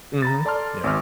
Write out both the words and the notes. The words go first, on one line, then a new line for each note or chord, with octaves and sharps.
Mhm. Yeah.
A#5 B5 A6
A4 D5 A5 C6 F6
G#1 D6 F6